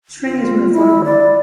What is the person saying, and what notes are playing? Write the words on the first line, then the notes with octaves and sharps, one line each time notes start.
String is my foible.
F4
E4
D5